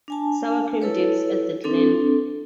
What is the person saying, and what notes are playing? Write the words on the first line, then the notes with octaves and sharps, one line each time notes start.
Sour Cream Dips at The Glen.
D4 G#5 A5
E4 A4 B4 C#5
C4 D4 A4